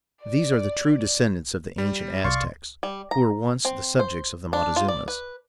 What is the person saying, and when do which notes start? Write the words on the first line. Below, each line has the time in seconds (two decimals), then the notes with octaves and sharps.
These are the true descendants of the ancient Aztecs, who were once the subjects of the Montezumas.
0.24 D5
1.78 G3
2.24 C2 D5 F5 C6 C#6
2.83 G3
3.11 A#5
3.65 C4
3.99 C5
4.53 D4
4.76 F4
4.88 D5
5.08 B4